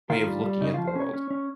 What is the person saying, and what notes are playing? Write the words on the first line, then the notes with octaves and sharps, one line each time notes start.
way of looking at the world
D#3 F4
G3
G3
C#3 D#4
F4
F3
C5
C#4 C#5
C#4
C#4